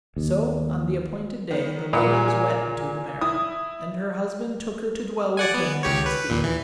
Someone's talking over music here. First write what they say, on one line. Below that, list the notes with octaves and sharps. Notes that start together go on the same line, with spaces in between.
So on the appointed day the lady was wedded to the baron, and her husband took her to dwell with him in his fief.
D#2
D#3 B3
A#2 E5 F#5 B5
G#4 A#4 G#5
E4 D#6
D5 F#5 G#5
B3
C#2 G4 C#5
B4
D#2 A#2
E3